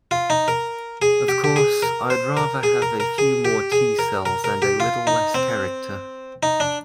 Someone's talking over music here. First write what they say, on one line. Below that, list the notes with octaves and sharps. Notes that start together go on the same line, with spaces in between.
Of course, I'd rather have a few more T-cells and a little less character.
F4
D#4
A#4
G#4
G4
G4
G#4
A#4
C5
A#4
G#4
A#4
A#4
G#4
G4
G#4
A#4
A#4
A#4
G4
F4
D#4
C4
D#4
D4